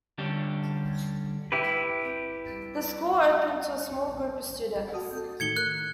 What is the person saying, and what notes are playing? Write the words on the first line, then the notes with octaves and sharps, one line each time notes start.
The school opened to a small group of students.
D3 G3 C#4 D4 G4
E4 G4 B4
F#4 A4 D#6
A2 D#3 G#6 C#7 G7
A#4 F#6